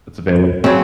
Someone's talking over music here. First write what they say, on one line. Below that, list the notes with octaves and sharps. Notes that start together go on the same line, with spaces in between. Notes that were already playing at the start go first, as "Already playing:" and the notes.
that’s available.
C#3 F#3 C4